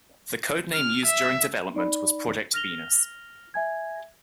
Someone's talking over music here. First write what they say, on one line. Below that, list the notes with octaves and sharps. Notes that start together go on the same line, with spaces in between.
The codename used during development was Project Venus.
F6
E5
D#4 D5 B5
F6 A#6 F7 G7
E5 G#5 G#6